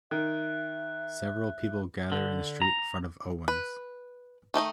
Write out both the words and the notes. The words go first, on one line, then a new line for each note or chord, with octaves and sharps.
Several people gather in the street in front of Owen 's.
D#3 E5 F#6
D3
A#5
B4
D#3 A3 D#4 D#5